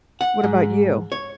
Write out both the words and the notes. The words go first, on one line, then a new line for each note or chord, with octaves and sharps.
What about you?
F#5
G#2
C#5